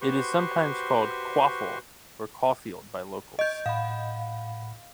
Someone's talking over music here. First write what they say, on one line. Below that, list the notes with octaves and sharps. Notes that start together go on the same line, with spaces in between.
It is sometimes called "Caufle" or "Cawfield" by locals.
F#4 G4 B4 C5 C6 C#6
D#5 G6
A2 F5 F#5 B5